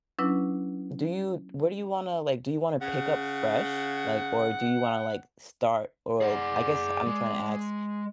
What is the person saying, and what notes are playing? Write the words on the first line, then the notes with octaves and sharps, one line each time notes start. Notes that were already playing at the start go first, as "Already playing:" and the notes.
do you what do you wanna, like, do you wanna pick up fresh, like, or do you wanna, like, start, or I guess I'm trying to ask,
F#3 C#4 D4 E4 B4
C#3 F#5
G#4 D5 F#5
G#3